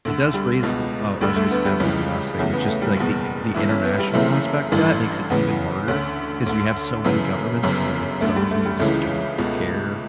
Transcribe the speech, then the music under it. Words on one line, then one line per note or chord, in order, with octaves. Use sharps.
it does raise th oh, I was gonna say add one last thing, which is like, the the international aspect of that makes it even harder because we have so many governments, and some of them just don't care,
D2 D3
G3
C#2 B2
D2 D3 G3
A3
B3
G3
C#2 C#3 E3
E2 C#3 E3 A3
B3
A3
G3
F#1 E2 B2
G1 G2 E3 E4
C#4
B3
G3
F#1 F#2 C#3 E3 A3
A1 G2 E3
E2 C#3 E3 B3
D2 D3 C#4
D2 D3
G1 F#2 C#3 E3 B3
G1 F#2 C#3
D2 D3 A3
G3
A3
G3
C#2 C#3 E3 A3
C#2 B2